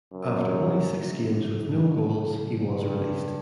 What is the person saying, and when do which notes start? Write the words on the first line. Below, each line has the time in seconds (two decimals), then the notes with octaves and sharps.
After only six games with no goals he was released.
0.13 F#2 C#3
0.35 C#3
0.56 C#3
0.77 A#3
0.98 A#3
1.19 C#3
1.41 F#3
1.62 F#3
1.82 C#3
2.04 C#3
2.25 C#3
2.46 F#3
2.67 G2 C#3
2.88 C#3
3.09 C#3